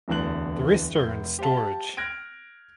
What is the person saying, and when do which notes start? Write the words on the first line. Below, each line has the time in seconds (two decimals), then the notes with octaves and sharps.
The rest are in storage.
0.08 D1 A1 E2 D3 F#6 F#7
0.97 F1 G6
1.39 G4 C5 F5 A5
1.97 F6 F#6 G#6 A#6 D7